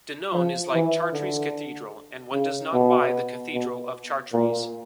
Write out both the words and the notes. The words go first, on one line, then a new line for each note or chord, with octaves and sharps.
Danone is like Chartres cathedral, and one does not buy the cathedral of Chartres.
F3
E3
D3
C#3
B2
B2
A#2